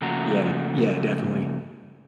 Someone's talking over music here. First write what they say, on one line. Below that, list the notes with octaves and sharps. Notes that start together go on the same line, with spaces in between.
Yeah, yeah, definitely.
C#3 F3 A3 A#3 F#4 A#5